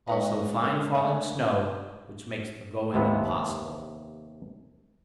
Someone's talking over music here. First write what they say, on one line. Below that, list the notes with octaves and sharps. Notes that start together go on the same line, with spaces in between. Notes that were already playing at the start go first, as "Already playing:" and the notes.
Also fine falling snow, which makes the going impossible.
G#3 D#4 B4 D#5 F#5 C#6
D4 A4 A#4
A3 F#5 G#5
D#2 C3 B3